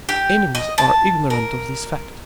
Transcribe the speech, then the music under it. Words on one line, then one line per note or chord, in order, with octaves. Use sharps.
Enemies are ignorant of this fact.
G4
D#5
A5
A#4